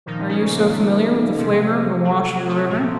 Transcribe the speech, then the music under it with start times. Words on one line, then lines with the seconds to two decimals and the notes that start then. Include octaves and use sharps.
'Are you so familiar with the flavour of the wash of the river?'
0.06 A#2 D#3 F3 D#4
0.28 C#3 C#4
0.50 A#2 A#3
0.72 A3
1.38 C3 F3
2.03 F#3
2.26 F#3
2.48 A3
2.69 A#2 F3 A3